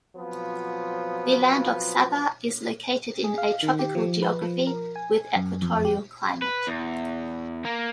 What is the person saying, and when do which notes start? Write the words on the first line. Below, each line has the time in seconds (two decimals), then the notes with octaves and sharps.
The land of Sabah is located in a tropical geography with equatorial climate.
0.16 F3 F#3 B3 C4 F4
3.24 G#4
3.38 F5
3.63 D#3
3.79 G4
3.95 F3
4.22 B4
4.42 F3
4.67 A#4
4.96 G#5
5.36 F#2
5.62 F2
5.85 G4
6.42 B4
6.67 E2
7.65 A#3